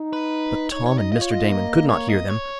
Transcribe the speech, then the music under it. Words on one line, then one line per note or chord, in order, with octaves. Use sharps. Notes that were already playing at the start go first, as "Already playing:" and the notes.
But Tom and Mr. Damon could not hear them.
Already playing: D#4
B4
D#4 C#5
C#5
D#5
F4 D#5
C#5
D#5
A#3
C#5
D#5
C#5